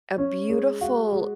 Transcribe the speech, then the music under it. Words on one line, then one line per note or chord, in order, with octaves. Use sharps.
a beautiful
C#4
G#3
F#4
G#3